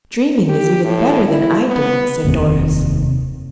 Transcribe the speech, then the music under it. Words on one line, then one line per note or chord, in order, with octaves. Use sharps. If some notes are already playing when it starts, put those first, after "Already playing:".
"Dreaming is even better than idling," said Doris.
G4
A2
E4
B3
F1 D#2 C3